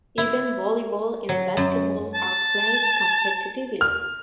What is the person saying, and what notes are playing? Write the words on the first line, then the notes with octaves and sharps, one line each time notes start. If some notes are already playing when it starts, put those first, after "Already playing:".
Even volleyball and basketball are played competitively.
E4
F#3
F#2
A5
F6